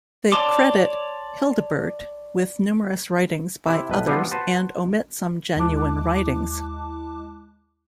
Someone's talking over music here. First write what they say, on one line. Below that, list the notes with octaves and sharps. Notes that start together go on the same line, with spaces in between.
They credit Hildebert with numerous writings by others and omit some genuine writings.
C#5 D5 A5 C6 D6
C3 E4
B1 A2 B4
E3 G3 B3 C4 D4 F4
F#4 B4 C5 A5
D#2 G#3 E4 A5 D6 F#6